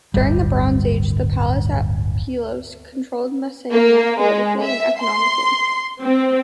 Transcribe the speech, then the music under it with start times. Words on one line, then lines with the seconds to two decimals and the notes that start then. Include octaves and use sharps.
During the Bronze Age the palace at Pylos controlled Messenia politically and economically.
0.14 D1 G1 G3
3.71 A#3
4.20 G#3
4.62 E5
5.00 C6
6.03 C4